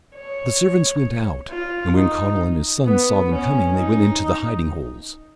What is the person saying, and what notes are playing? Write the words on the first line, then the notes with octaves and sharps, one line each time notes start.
The servants went out, and when Conall and his sons saw them coming they went into the hiding holes.
C#5
F4
D#4
B3
C#4
D#4